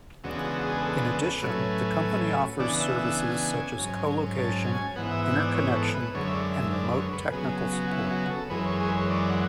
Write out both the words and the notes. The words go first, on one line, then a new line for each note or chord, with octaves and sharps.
In addition, the company offers services such as colocation, interconnection and remote technical support.
E2 C#3 G#3 B3 D4 F#4
F#4
G#4
B4
A4
B4
A4
B4
A2 F#3 A3 C#4
C#3 E3 B3 D4 D5
E5
E5
G#5
G#2 F#3 C#4
A5
G#5
G#2 E3 B3 F#5
E5
E5
D5
C#5
A4
B4
F#2 D3 G#3 C#5
E5
D5
E5
D5
B4
C#5
B4
C#3 F#3 B3 G#4
F#4
E4
F#4
A4
F#2 E3 G#3 B4
C#5
G#4
B4
C#5
D5
F#5